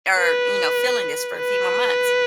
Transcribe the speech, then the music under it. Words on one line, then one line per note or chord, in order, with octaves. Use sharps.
or you know feeling this for a few more months,"
B4
B4